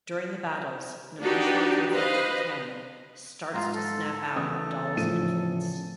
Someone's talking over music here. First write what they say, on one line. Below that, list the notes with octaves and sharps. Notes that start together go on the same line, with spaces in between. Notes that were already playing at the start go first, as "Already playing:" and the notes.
During the battles, an emotionally conflicted Ken starts to snap out of Doll's influence.
D4 D#4 F#4 G4 B4
B4 C5 D#5 F5
C2 G#2 F4 A#5
A4
E2 C#3 D#6
A2 F3 D#7